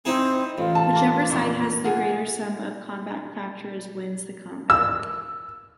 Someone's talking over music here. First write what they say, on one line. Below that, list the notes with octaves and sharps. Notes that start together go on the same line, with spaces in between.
Whichever side has the greater sum of combat factors wins the combat.
C4 D#4 E4 G#4
A1 F4
A5
A#3
F2 A#2
F4 G#4 F#5
E6